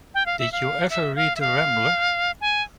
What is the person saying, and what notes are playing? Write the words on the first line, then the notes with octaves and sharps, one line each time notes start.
Did you ever read the Rambler?
G5
F5
E5
F5
E5
F5
E5
F5
G#5